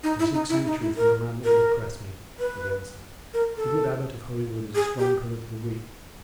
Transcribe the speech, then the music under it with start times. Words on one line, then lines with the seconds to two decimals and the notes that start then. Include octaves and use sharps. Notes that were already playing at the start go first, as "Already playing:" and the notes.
"I seek sanctuary from a man that would oppress me," was the answer. "The good Abbot of Holywood is a strong pillar to the weak."
0.03 D#4
0.19 E4
0.34 D#4
0.49 E4
0.66 D#4
0.82 E4
0.97 A#4
1.44 A#4
2.39 B4
3.34 A#4
3.57 A4
4.75 G#4
4.99 G4